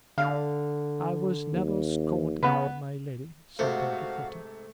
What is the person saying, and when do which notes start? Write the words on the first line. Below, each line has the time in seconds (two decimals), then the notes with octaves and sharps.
"I was never scorned by my lady," said Don Quixote.
0.18 D3 F5
1.53 D#2
2.43 C#3 B3 B4
3.59 G#2 C3 A3 F#4 C5 F5